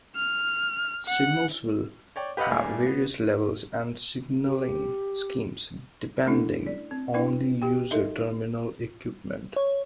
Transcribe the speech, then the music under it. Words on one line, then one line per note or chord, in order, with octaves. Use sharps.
Signals will have various levels and signaling schemes depending on the user terminal equipment.
F6
F#5
C#5 D5 G5
G4 B4 D#5 F5 F#5
A#2 G3 A3 A#3 G#4
B3
G4
A3 C#4 D4 E4 A4
D5
C4
D4 E4 B4 G5
G4 G5
D#4 A4 A#4 D#5 E5
C#5